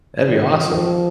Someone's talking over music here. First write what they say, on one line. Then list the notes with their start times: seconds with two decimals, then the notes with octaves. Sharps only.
That'd be awesome.
0.23 D#3
0.62 F3